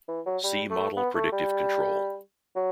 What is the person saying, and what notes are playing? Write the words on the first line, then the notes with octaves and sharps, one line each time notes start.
See Model predictive control.
E3
F#3
G3
A3
B3
A3
G3
F#3